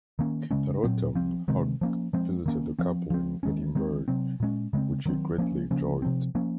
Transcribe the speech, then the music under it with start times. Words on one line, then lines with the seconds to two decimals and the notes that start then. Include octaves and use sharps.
That autumn Hogg visited the couple in Edinburgh, which he greatly enjoyed.
0.19 D#3 A#3 C#4
0.51 C#3 G#3 C#4
0.84 A#2 F#3 C4
1.15 F3 C4
1.48 C3 D#3 G#3 C4
1.81 F3 A#3 C#4
2.13 F3 G#3 C4
2.46 D#3 A#3 C#4
2.79 F3 C4
3.10 F3 C4
3.43 D#3 G#3 C#4
3.75 D#3 G#3 C4
4.08 C3 F#3 C4
4.40 A#2 G#3 C#4
4.73 C#3 G#3 C4
5.06 D#3 F#3 C4
5.38 F3 A#3 C#4
5.71 C#3 F3 A#3 C#4
6.02 C3 F3 C4
6.35 F3 A#3 C#4